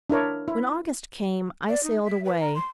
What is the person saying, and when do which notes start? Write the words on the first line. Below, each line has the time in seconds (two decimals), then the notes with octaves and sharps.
When August came I sailed away.
0.10 D4 E4 A#4 C#5
0.48 E4
1.69 D5
1.83 D#4
2.04 E5
2.24 B4
2.40 A#5
2.55 C6